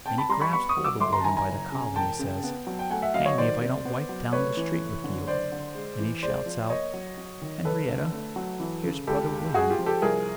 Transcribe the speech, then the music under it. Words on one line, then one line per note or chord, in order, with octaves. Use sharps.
And he grabs hold of Willyum by the collar, and he says, 'Hang me if I don't wipe down the street with you!' And he shouts out, ''Enrietta, here's Brother Willyum.
C4 G5 A5
A5 B5
G3 A#5 C6
B5 C#6
B3 B5 C#6
C#6 D#6
F#3
D6 E6
G1 C6 D6
A#5 C6
A5
D#3 G#5 A#5
G#5 A#5
F#1
C#3
E1 G5 A5
C#3
B3
F#3
G5
A3 F#5 G#5
E5 F#5
F#3 D#5 F5
C#5 D#5
D#3 C5 D5
C3
B3
F#3
A3 B4 C#5
E3
F1
D3
F#1 C5 D5
D3
G#3
E3
G#3 C5 D5
F3
A#3 C#5 D#5
F#3
F#3
D#3
F#1 A4 B4
D3
A3
F#3
E3
C#3
C#2 G4 A4
G#3
G#3 F#4 G#4
F4 G4
F3
G4 A4
C2 G#4 A#4